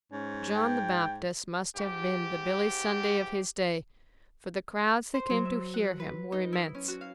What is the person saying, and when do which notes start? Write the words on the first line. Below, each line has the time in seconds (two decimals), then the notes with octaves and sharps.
John the Baptist must have been the Billy Sunday of his day for the crowds that came to hear him were immense.
0.12 G#2 C#4
0.55 G5
1.76 G#2 G4
5.14 C5
5.30 F#3
5.45 E5
5.74 F#5
6.00 B4
6.32 D#4
6.53 E4
6.75 C#4
6.88 F#4
7.01 F5